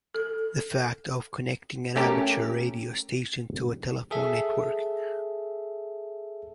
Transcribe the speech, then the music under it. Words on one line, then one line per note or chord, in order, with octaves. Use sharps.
The fact of connecting an amateur radio station to a telephone network.
A4
A3 C#4 G4 A#4
G#4 A4 E5